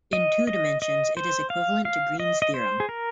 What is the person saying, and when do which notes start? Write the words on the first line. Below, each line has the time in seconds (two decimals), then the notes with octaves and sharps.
In two dimensions, it is equivalent to Green's theorem.
0.13 D#5
0.47 D#5
0.82 D#5
1.17 C5
1.50 F5
1.85 F5
2.20 D#5
2.42 D#5
2.54 C5
2.80 G#4
2.89 A#4